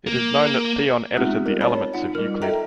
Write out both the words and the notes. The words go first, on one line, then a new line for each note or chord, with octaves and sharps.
It is known that Theon edited the "Elements" of Euclid.
A#3
G#3 B3 C4 D#4 F4 G4
G3 A#4
C#5 D5 A5 B5
D#4 F4 F#5
G3 A#4
A4 D#5 E5 G5 A#5